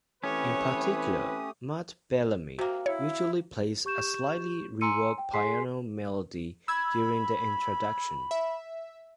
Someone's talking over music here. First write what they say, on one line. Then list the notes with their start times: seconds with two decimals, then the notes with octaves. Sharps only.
In particular, Matt Bellamy usually plays a slightly re-worked piano melody during the introduction.
0.24 E3 A3 C4 C#4 G4 B4 C#5 D#6
2.59 C3 A#3 F#4
2.86 E4 C#5
3.85 G4 C#6 G6 E7
4.81 G#5 A#5 C6 E6 C#7 D#7
5.18 G5
5.34 G#4 G#5 C6 B6 C7
6.68 B5 E6 G#6
8.31 E5